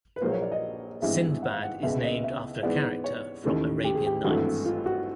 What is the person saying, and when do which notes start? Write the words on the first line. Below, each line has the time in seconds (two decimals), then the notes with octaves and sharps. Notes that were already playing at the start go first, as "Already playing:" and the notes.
Sindbad is named after a character from Arabian Nights.
0.16 B4
0.21 A#1 A#2 F#3 A#3 C5
0.32 C#5
0.42 D5
0.52 D#5
1.02 G#1 G2 E3 G#3 B3 E5
1.43 F#5
1.53 F5
1.63 F#5
1.83 C#2 B2 G#3 B3 E5
2.03 D#5
2.24 E5
2.63 G#2 E3 G#3 B3 D5
3.04 C#5
3.44 D#2 C#3 E3 A3
3.84 G4
3.95 G#4
4.06 G4
4.24 G#1 G2 E3 A3 F#4
4.65 F4
4.86 F#4